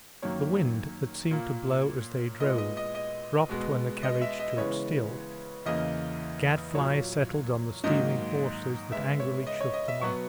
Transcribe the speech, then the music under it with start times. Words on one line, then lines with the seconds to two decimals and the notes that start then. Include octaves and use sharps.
The wind, that seemed to blow as they drove, dropped when the carriage stood still; gadflies settled on the steaming horses that angrily shook them off.
0.22 F#2 D#3 F#3 A#3 C#5
1.31 A#2 A#3
2.40 A#2 G#3 B3 D#5
2.58 D#5
2.77 D#5
2.95 D#5
3.49 B2 G#3 B3
4.03 D#5
4.21 E5
4.40 D#5
4.57 C#3 E3 G#3 B3 C#5
5.66 E2 C#3 E3 A#3 D#5
6.75 A#2 F#3 A#3 C#5
7.84 G#2 D#3 F#3 A#3 D#5
8.92 C#3 G#3 B3 E5
9.20 C#5
9.47 D#5
9.61 C#5
9.74 D#5
9.88 E5
10.01 B2 F#3 B3 C#6